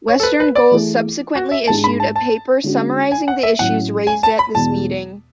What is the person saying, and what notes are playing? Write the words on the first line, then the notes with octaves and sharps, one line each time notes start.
Western Goals subsequently issued a paper summarising the issues raised at this meeting.
C#5
A4
B4
B4
D5
E3 A3 E4 G#4
F#4
E5
G#2 G#3 D4 G#4 A5
B5
A5
A5
D3 G#3 C#4 F#4
G#5
F#5
E5
A2 F#3 C#4 F#5
G#5
A5
B5
E2 B2 G#3 A5